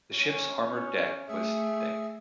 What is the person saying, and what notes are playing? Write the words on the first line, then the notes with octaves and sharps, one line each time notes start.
The ship's armored deck was thick.
C#4
A3 G#4 E5